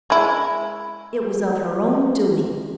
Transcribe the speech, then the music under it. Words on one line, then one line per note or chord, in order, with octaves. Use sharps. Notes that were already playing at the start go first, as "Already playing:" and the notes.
It was of her own doing.
G#3 E4